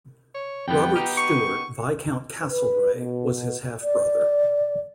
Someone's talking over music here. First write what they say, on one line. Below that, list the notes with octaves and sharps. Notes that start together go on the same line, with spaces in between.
Robert Stewart, Viscount Castlereagh, was his half-brother.
C#5
F2 G3 B3 G5
B3 D#4 G4
C#6
B4
B2
D5